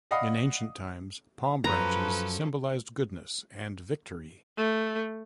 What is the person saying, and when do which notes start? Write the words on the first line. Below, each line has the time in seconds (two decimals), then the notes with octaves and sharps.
In ancient times, palm branches symbolized goodness and victory.
0.11 D5 D#5 F5 F#5 B5 D#6
1.64 F#2 F3 C#4 A4 B4 A#5
4.57 A3